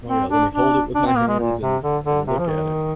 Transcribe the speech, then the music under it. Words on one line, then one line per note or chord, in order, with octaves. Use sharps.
Oh, yeah, "Let me hold it with my hands and and look at it."
C4
D4
D4
D4
C4
A#3
G#3
A#2
C3
D3
D3
C3
F3
D#3